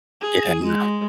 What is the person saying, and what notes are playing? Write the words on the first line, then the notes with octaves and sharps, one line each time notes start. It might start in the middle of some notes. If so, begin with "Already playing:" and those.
Yeah, no.
G#4
G#3